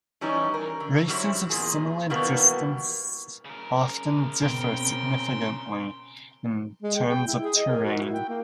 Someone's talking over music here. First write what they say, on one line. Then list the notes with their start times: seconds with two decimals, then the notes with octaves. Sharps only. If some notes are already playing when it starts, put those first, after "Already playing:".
Races of similar distance often differ significantly in terms of terrain.
0.21 E3 G3 C#4 D#4
0.54 A#4
0.80 D3
1.08 F#2 F#3 G3 B3 E4 C5
1.50 E2 A#2 G#4
2.10 B2 D#3 E3 G3 A#3 B3
3.46 C#3 A#4
4.42 B2 C4 G5 A#5 C6
6.83 G#3
6.96 G5
7.08 G5
7.27 E4
7.43 G#4
7.56 D#5
7.68 A#4
7.84 F#4
7.97 E4
8.14 G5
8.29 A#3